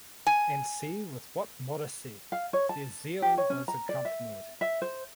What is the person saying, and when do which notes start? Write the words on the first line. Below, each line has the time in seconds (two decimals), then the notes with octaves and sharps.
And see with what modesty their zeal was accompanied.
0.27 G#5
2.32 F5
2.53 C#5
2.69 A5
3.22 G4
3.38 C#5
3.50 C#4
3.68 A#5
3.89 D5
4.05 E5
4.61 E5
4.82 C5